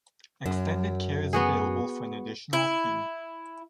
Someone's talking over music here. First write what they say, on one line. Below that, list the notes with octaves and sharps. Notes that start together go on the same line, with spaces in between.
Extended care is available for an additional fee.
F#2
B3 F#4 G#4
E4